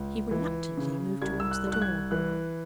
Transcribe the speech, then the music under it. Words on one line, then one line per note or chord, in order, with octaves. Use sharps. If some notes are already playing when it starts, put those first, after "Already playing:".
He reluctantly moved towards the door.
Already playing: C#2
E3
C#3
C2 G#6
E6
F#6
C2
F#6
G#6
E3 F#6